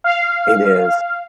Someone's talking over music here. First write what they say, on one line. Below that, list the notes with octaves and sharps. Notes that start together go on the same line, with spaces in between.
It is.
F5